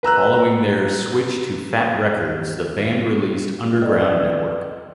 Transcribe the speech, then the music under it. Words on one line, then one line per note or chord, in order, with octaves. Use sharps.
Following their switch to Fat Wreck Chords, the band released "Underground Network".
B4 A#5 E6 F#6
A4 B4 D5 D#5 G5